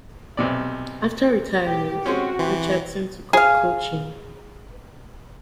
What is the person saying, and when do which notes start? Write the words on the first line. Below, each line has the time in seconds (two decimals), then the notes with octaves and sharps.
After retirement, Richardson took up coaching.
0.37 B1 C3 D5
1.65 G4
2.06 G#3 C4 C#4 F#4
2.39 E3 C4 G4
3.33 G#4 F5